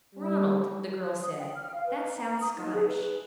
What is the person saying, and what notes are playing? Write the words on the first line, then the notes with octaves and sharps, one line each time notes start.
"Ronald," the girl said, "that sounds Scottish."
G3
D#6
G5
F6
F5
B4
A#5
D#6
D#4
G#4
B4